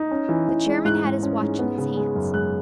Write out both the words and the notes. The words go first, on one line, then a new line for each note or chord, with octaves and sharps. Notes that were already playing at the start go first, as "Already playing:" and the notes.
The chairman had his watch in his hands.
Already playing: D#4
C#4
E3
E3
G#3
G#2 F#6
G#2
C#4
G#2
B3
C#3
G#3
F#2
G#3 F#6